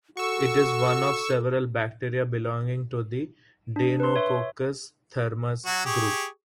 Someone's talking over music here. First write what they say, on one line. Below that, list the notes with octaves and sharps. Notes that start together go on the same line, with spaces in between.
It is one of several bacteria belonging to the "Deinococcus-Thermus" group.
F#4 A4 C#6 E6
D4
B4 C6
C#5 E5
F#3 F#4
G4 G#4 C#6